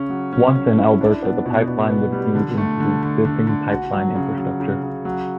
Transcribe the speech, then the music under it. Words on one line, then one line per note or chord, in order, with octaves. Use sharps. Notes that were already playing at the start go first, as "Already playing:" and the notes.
Once in Alberta, the pipeline would feed into the existing pipeline infrastructure.
Already playing: C#3 C#4
F#3
C#4
C#4
E4
D4
B3
B2
B2
B3
G3
D3
A3
D3
D3
D3
D3
F#4
F#3
C#3
F#3
C#3
C#3
F#3